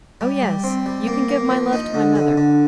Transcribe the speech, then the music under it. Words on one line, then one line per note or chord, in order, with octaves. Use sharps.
Oh yes;--you can give my love to my mother.
G3
G3
C4
G3
A#3
A#3
F3
D#4
D3
D3
D3